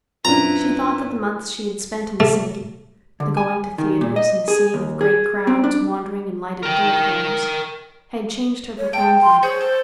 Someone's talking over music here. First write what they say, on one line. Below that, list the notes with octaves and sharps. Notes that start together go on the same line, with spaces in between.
She thought that the months she had spent in the city, the going to theaters and the seeing of great crowds wandering in lighted thoroughfares, had changed her profoundly.
F#2 C4 D4 E4 F4 B4 A#5
A3
D3
G#5
D#3
A#2
D#5
G#4
D#2
G#4
C4
D4
A#4 G5
C#5
G5 A5
C6
G#4 C5 C#5 G6
A4